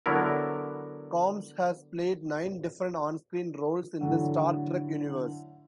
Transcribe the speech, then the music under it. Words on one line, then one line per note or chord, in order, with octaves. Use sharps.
Combs has played nine different onscreen roles in the "Star Trek" universe.
D3 F#3 B3 E4 A#4
A2 D3 F#3